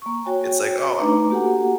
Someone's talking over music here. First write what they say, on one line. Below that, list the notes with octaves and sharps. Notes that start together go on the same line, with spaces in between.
it's like, "Oh"
A#3 C#6
F#4 C#5 G5 G#5
A3 D4 D#4 B4 A#5 D6
A#3 F#4 G4 A4 F#5 G#5